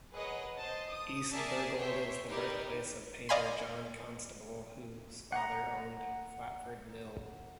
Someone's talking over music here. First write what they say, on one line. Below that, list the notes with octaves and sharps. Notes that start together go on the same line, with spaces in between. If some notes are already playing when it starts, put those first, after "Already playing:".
East Bergholt is the birthplace of painter John Constable whose father owned Flatford Mill.
G#4 A#4 B4 C#5 D#5 F#5
C5 D#5 A5
D#6
G#4 A#4 D5 E5 A5
C5 C#5 E5 G5
D#4 E4 G4 A#4 D5
D5 D#5 F5 G#5 B5 C6
F#5 A#5